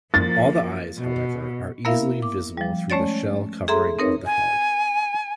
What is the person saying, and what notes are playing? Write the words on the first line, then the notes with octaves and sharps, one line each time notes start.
All the eyes, however, are easily visible through the shell covering of the head.
F3 A#3 A6
B2
A#3 B3 E4 A#4 E5 F5
D6
F3 G3
G#3 A3 C#4 C#5 D5 A6
G#4 A4 E5 A#5 C6
C4 D#4 A#4 B4 C#5
G#5